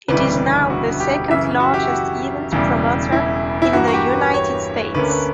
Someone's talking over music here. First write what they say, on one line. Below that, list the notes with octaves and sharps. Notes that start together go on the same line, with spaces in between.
It is now the second-largest event promoter in the United States.
E1 D2 C#3 E3 G3 B4
F#4
G4
F#2 C#3 E3 E5
F#4
G4
F#4
E1 E2 C#3 G3
E4
E4
G2 E3 A#3 F#4
F#4
G4
B4
C#5
D2 D3 A#3 C#4 B4
B4